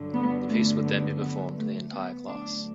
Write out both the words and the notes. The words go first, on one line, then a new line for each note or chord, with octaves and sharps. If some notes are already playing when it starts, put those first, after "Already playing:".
The piece would then be performed to the entire class.
Already playing: G2 D3 F#3
B3
A3
B3
B3
A3
B3
D2 D3 F#3 D4